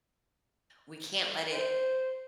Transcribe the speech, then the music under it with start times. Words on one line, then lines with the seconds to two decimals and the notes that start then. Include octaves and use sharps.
we can't let it
1.52 C5